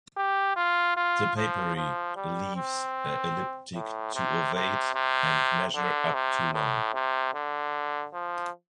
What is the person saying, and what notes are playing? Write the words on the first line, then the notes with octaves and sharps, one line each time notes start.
The papery leaves are elliptic to ovate and measure up to long.
G4
F4
F4
F3
F3
G3
C4
A2
C3
C3
C3
D3
C3
A2
C3
D3
F3